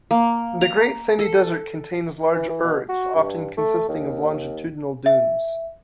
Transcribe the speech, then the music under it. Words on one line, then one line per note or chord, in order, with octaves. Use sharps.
The Great Sandy Desert contains large ergs, often consisting of longitudinal dunes.
A#3
A#5
A4
E3
E3
B2
F#4
G2
A3
D#2
E5